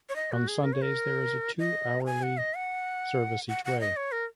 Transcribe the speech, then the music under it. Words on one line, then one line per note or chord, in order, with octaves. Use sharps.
On Sundays, there is a two-hourly service each way.
C#5
D#5
F#4
G#4
A#4
C#5
A#4
D#5
A#5
G#5
F#5
D#5
F#5
F#5
F#5
D#5
C#5
A#4